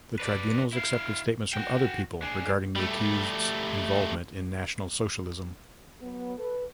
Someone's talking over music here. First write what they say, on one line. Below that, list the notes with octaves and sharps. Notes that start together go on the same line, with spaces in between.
The tribunals accepted statements from other people regarding the accused's involvement in National Socialism.
B4 D5
E4 F5
F#4 G5
D4 G#4
G3 A3
F#3 B3
A4 B4